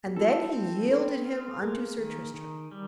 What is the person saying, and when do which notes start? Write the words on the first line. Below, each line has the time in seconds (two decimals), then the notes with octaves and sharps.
And then he yielded him unto Sir Tristram.
0.06 G4
0.16 E4 F#4 A4
0.53 C4
0.89 C4 A4 B4
1.25 F4
1.62 A#3 G#4 A#4
1.98 D#3
2.34 D#3
2.71 G3